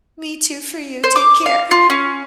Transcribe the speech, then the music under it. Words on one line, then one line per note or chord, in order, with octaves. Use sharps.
Me, too, for you. Take care.
C5
D6
F5
F4
C#4